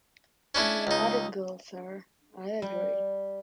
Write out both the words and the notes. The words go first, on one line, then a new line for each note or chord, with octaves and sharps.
A neurotic girl, sir, I agree.
C#4 D4 E4
C#2 D#4
G3